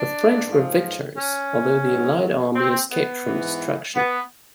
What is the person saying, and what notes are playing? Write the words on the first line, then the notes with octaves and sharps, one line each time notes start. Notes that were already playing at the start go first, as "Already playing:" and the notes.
The French were victorious, although the allied army escaped from destruction.
Already playing: D4
G#2 F3
C#4
G#2 D#3 F#3
C4
B3
G#2 E3
B3